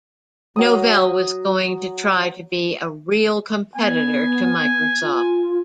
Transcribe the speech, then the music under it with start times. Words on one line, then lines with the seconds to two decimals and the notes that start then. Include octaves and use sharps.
Novell was going to try to be a real competitor to Microsoft.
0.56 F#3 D#6
3.76 B3 G#5
5.02 F4